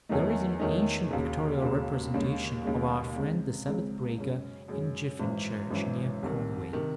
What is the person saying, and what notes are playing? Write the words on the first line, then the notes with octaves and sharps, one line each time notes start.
There is an ancient pictorial representation of our friend the Sabbath-breaker in Gyffyn Church, near Conway.
E2 D#3 F#3 A3 D#4
E2 D#3 F#3 A3 D#4
E1 D#2 C#3
E1 D#2 C#3
D#2 C#3 G#3
D#2 C#3 G#3
C#2 C#3 G#3 C4
C#2 C#3 G#3 C4
F#2 C#3 G#3 C#4
F#2 C#3 G#3 C#4
G#1 F#2 E3
G#1 F#2 E3
C2 C3 D#3
C3 D#3